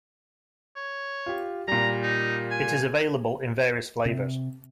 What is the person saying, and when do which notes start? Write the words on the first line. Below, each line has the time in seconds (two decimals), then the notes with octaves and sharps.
It is available in various flavors.
0.76 C#5
1.26 F4 G4
1.68 A#2 G3 A#5
2.03 D#4
2.51 G#5
4.06 C3